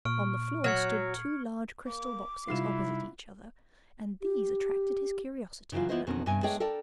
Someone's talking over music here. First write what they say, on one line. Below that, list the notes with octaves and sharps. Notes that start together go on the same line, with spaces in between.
On the floor stood two large crystal boxes opposite each other, and these attracted his curiosity at once.
A#2 C#6 F6 D7
F#3 F6 G#6 C#7
A#3 D6
G#2 C3 G3 E4 F4 C7 E7
G4
C#3 E3 F#3 D4 F4
E3 B3 E4 F4 C5 D#5
F2 B2 D#3 C4 C#4
G2 C3 G#5
G#3 A3 D4 G#4 C#5 G5
A4 A#4 D5 G5 A5